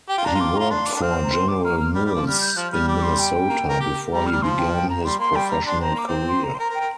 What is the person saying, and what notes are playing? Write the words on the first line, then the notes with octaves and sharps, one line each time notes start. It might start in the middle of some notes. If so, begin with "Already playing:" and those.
He worked for General Mills in Minnesota before he began his professional career.
G4 G5
F4
D4 A#5
F4
D6
F4 A#5
D4 C6
D6
D4
C4 F6
A#5
C6
D6
A#3 F6
F6
G3 F6
G3
F3 D6
G3 F6
G6
F3 F6
G3 F6
G3 D6
D6
C6
G5
A#3
A#4
G4
G3 A#5
G3 F6
F3 C6
G5
G5
A#5
G3 C6
A#3 C6
G3 G5
A#5
D4 C6
C4 A#5
A#3 D6
C4
C6
A#5
C6
A#4 A#5
A#4
G5
A#4